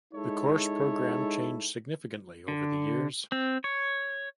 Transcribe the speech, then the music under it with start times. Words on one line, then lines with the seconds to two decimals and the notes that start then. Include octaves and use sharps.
The course programme changed significantly over the years.
0.14 G#3 D#4 E4 A4 C#5
2.48 D3
3.32 C4
3.64 C#5